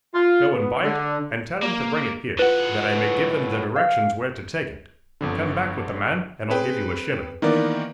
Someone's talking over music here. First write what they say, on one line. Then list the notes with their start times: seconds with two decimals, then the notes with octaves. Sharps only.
Go and buy it, and tell 'em to bring it here, that I may give them the directions where to take it. Come back with the man, and I'll give you a shilling.
0.15 F4
0.53 B3
0.83 D3
1.63 A#3
2.39 A2 F4 B4 F#5
3.76 F5
5.21 G1 F2 D3
6.50 C4 G#4 B4 G5
7.42 D#3 E3 A#3 B3 A#4 D5